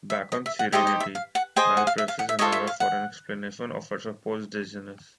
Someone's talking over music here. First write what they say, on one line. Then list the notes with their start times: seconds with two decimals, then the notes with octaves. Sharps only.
Back on "Serenity", Mal presses Inara for an explanation of her supposed dizziness.
0.10 E5
0.32 D#5
0.46 E5
0.59 F#5
0.72 D#4 G4 C5 D#5 E5
0.87 D#5
1.00 E5
1.15 F5
1.35 F#5
1.56 G#4 C5 D#5 G5
1.77 F#5
1.87 F5
1.98 E5
2.08 F5
2.19 F#5
2.29 E5
2.39 F4 A4 C#5 D#5
2.52 E5
2.67 F5
2.80 F#5